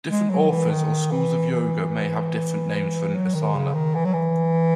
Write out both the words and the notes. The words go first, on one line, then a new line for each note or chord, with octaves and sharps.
Different authors or schools of yoga may have different names for an asana.
G#3
F#3
E3
D#3
E3
E3
F#3
D#3
C#3
D#3
E3
F#3
E3